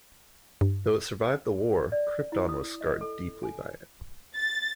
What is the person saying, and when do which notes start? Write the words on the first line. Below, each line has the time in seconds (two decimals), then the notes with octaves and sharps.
Though it survived the war, Krypton was scarred deeply by it.
0.61 G2
1.92 D5
2.32 E4
2.49 D#6
2.81 D#5
3.01 A4
3.43 G#5
4.36 A6